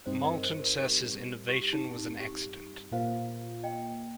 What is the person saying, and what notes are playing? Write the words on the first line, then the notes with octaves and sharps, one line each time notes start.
Moulton says his innovation was an accident.
G2 G3 C4 D#4 C5
A#4 D#5
C5
A#4
G4
G4
D#4
G4
A#2 A#3 F4 C5 F5
D#5 G5